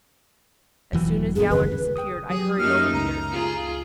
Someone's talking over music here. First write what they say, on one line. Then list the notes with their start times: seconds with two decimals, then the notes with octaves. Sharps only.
As soon as Yowler disappeared I hurried over here.
0.93 E1 E3 F#3
1.36 G2 B2 G#4
1.51 F#1 D#2 C#3 B4
1.96 G5 D#6
2.30 F#3 G4 G#4 D#6
2.59 F#2 A3 A#3 D#4 G4 F6 C7
2.94 C#2 A#5
3.32 F4 G#4